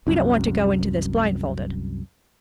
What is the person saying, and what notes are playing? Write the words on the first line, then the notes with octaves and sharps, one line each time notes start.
"We don't want to go into this blindfolded."
C2 F#2